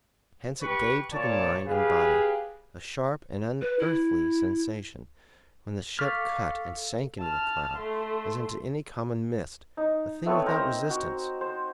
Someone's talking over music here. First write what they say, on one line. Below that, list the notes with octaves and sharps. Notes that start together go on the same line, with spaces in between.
Hence it gave to the mind and body a sharp and unearthly sensation when the ship cut and sank into the cloud as into any common mist, a thing without resistance.
G4 B4 C#6
A#2 C#5 D5 A5
G4 G#4 B4 F5
B4
E4
A4 F5 C#6 D6 F6 A6 B6
A5 F6
A3 C6
D#4
A3 B3 C4 C#5
A#4 C5 G5 A#5
F#4
C5